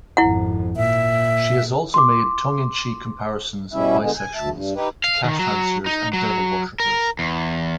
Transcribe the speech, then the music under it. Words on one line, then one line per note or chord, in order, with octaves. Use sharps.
She has also made tongue-in-cheek comparisons of bisexuals to cat fanciers and devil worshippers.
G#1 F2 E4 F#5
A#2 E5
C6 D6
B2 G3 C#4 E4 E5
B2 D3 G#3
G#5
D2 E5 A5
G2
D#4 G4 B4
F5
D#3
F#3
D#4
F#3
A#4
E2